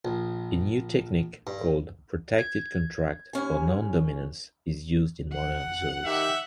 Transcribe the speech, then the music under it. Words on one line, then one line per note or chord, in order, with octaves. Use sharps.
A new technique, called "protected contact" or "non-dominance" is used in modern zoos.
A#1
G2
G#6
D#2 C#4 G#5
F#5
D#3 G4 E5